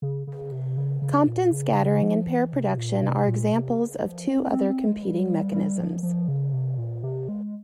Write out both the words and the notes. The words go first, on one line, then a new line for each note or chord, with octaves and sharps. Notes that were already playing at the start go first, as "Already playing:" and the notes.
Compton scattering and pair production are examples of two other competing mechanisms.
C#3
C#3
C3
C#3
C#3
A#2
C#3
F3
E3
C3
A#2
C3
A#2
C3
C#3
F3
C4
C4
C4
G#3
G3
G3
F3
F3
C#3
C3
A#2
C3
G#3